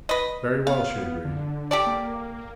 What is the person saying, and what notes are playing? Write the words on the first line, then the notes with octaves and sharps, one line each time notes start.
"Very well," she agreed.
B4 D#5
B3 F5
D3
G4 A4 D5
A#3